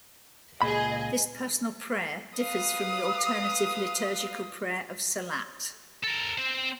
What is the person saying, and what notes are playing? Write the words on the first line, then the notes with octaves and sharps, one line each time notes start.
This personal prayer differs from the alternative liturgical prayer of salat.
C#2 A#2 G#4 D#5 B5
B4 F5 D#6
A4 A#4
C4 C5